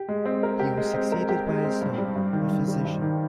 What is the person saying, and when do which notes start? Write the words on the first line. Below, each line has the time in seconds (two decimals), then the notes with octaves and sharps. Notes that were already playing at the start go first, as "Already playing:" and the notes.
He was succeeded by his son, a physician.
Already playing: G4
0.08 G#3
0.25 C4
0.43 A#4
0.60 G4
0.77 G#3
0.94 C4
1.12 A#4
1.29 G4
1.47 G#3
1.64 C4
1.81 G2
1.98 G3
2.16 G2
2.33 D#3
2.51 G2
2.68 G3
2.85 G2
3.02 D#3